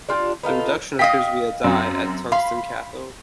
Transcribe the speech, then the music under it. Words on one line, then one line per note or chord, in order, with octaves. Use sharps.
The reduction occurs via Dy, at a tungsten cathode.
D4 F4 G4 G5
B3 D#4 F4 A4
D#5 F5 G5 D#6 A#6 B6
F#2 F#3 C4
F5 B5 C6